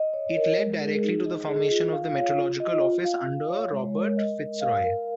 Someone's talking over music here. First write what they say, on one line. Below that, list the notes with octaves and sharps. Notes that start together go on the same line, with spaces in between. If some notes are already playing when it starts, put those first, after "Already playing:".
It led directly to the formation of the Meteorological Office under Robert Fitzroy.
Already playing: D#5
C#5
A#4
G#3
G#4
D#4
D#5
G#4
F4
F5
C#5
F4
D#5
F4
F5
F5
C#5
G#3
A#4
D#5
A#4
F5
A#4